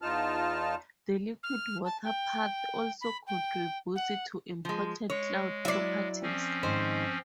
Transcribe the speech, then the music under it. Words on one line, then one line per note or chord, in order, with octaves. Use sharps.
The liquid water path also contributes to important cloud properties.
E2 D#4 F4 A5 F6
F6
A5
G5
B5
G5
F#5
F3 G#3
G#3 C#5
F#3 E4 D5 E5
F3 C4 C#4
G#2 D#3 C5